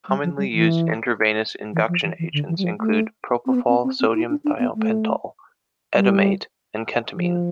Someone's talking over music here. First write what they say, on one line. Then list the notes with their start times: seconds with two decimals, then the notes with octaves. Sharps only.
Commonly used intravenous induction agents include propofol, sodium thiopental, etomidate, and ketamine.
0.09 G3
0.24 F3
0.38 G3
0.53 E3
1.73 E3
1.88 F3
2.03 E3
2.19 E3
2.33 D3
2.49 E3
2.58 G3
2.64 F3
2.79 A3
3.46 C4
3.54 B3
3.69 C4
3.84 C4
4.00 C4
4.15 E4
4.30 D4
4.44 D4
4.59 B3
4.75 A3
5.95 G3
7.16 F3